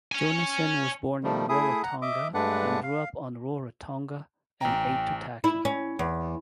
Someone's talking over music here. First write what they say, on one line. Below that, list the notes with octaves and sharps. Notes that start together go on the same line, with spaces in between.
Jonassen was born in Rarotonga and grew up on Rarotonga and Aitutaki.
C#5 G#5
D#3 F3 G3 A3
A3 E4 G#4 E5 D#6
F#5 A#5
D#5 E5 D6
G2 G#3 A3 D4 B4 F#5
F5
A1 G5 A#5
E4
C#4
E2